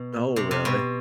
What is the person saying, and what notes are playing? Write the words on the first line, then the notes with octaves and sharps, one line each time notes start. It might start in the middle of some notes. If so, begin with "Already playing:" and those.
Oh, really?
Already playing: B2
C3
C3
B2